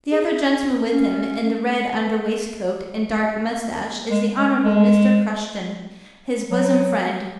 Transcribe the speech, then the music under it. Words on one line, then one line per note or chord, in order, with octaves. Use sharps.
The other gentleman with him, in the red under-waistcoat and dark moustache, is the Honourable Mr. Crushton, his bosom friend.
G#4
C#4
G#3
G#3
G#3
F#3